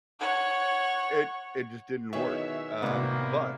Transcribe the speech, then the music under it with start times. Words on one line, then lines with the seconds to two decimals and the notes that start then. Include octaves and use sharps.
It it just didn't work. Um, but
0.20 C#5 F#5
2.13 B2 D#3 F#3 E4 G#4 C#5 E5
2.82 A2 C3 A#3 B3 F#4 D5 F#5